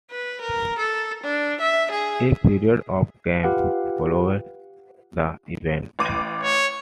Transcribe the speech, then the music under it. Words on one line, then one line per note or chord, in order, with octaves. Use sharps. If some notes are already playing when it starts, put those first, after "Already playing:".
A period of calm followed the event.
B4
A#4
A4
D4
E5
G#4
F4 G4 B4 F5 F#5
A1 D6 D#7
C#5